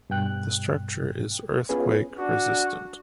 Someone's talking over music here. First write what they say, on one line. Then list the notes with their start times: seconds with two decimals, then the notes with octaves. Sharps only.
The structure is earthquake resistant.
0.10 G2 B2 G5 F#6
1.69 B3 C#4 F4 G#4 B4
2.18 D4 F#4